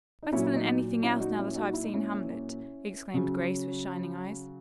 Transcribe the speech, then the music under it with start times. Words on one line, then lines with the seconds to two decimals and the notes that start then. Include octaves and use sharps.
"Better than anything else, now that I've seen 'Hamlet'!" exclaimed Grace, with shining eyes.
0.23 D#4
0.33 A#2 F#3 C#4 E4
0.45 E4
0.56 D#4 F#4
1.03 C#4 E4
1.20 D#4 F#4
1.38 C#4 E4
1.55 D#4 F#4
1.73 E4
1.84 D#4
1.94 C#4 E4
3.14 C#3 F#3 C#4